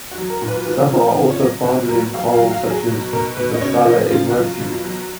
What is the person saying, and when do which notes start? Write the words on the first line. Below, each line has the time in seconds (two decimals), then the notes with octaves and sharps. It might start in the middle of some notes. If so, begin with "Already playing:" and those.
Some are also found in corals such as Maasella edwardsi.
0.11 F#4
0.18 F#3
0.30 A#4
0.42 A#2
0.48 B4
0.66 F3
0.91 F3
1.16 C#3
1.30 C#5
1.40 F#3 D#5
1.65 B2 F#4
1.89 F#3 A#4
2.14 F#3 F5
2.33 F5
2.39 F#3
2.51 F5
2.64 F#3
2.70 G#4
2.88 B2
3.13 B2 A#4
3.37 B2 B4
3.54 D#5
3.61 C#3 C#5
3.86 F3 D#5
4.10 C#3 F4
4.30 F#4
4.35 F#3 F4
4.60 B2
4.84 F#3